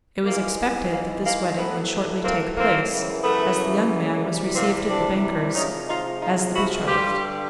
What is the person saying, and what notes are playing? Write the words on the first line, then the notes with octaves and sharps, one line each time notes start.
It was expected that this wedding would shortly take place, as the young man was received at the banker's as the betrothed.
G#2 E3 G#3 A#3
A#3
A#3
A2 F#3 A3 B3
A#3 C4
A#3 C4
F#2 C#3 E3
A3 B3
C3 E3 G3
A#3 C4
C4 D4
C3 F3 G#3 C#4 D#4
D#4 F4
D#4 F4
E4 F#4
G2 D3 G3 F4 G4